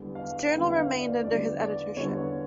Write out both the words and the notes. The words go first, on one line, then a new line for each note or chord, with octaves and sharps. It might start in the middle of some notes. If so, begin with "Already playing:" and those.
The journal remained under his editorship.
Already playing: E2 D3 G3
F5
E2 D3 G3 G5
F5
E5
D5
E2 D3 G3 D5
D5
E2 D3 G3 C#5